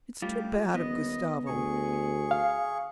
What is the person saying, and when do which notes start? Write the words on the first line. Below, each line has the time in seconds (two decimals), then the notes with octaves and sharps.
It's too bad of Gustavo!
0.22 G3 A3 F4 G4
0.74 D#1 B3 D#5
1.47 D2 G#4 C#6
2.31 F5